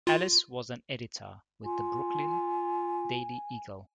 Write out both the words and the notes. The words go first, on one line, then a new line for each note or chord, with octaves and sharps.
Alice was an editor with the "Brooklyn Daily Eagle".
F4
F4 G#5